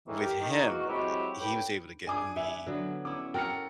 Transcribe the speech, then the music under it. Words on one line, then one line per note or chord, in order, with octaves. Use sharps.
with him, he he was able to get me
E2 A2 D#3 E3
G4 A#4
D#3
E3 G#3 A#3 F#4
F#3 G#3 C4 E4 F#4 G4
C2 A2 B4 G5
D4 G#4 G#5 D6 D#6
B4 E5 G#5
D3 F#3 B3
C#4 E4 D6
F#4 A4 A#4 G5 F6 C#7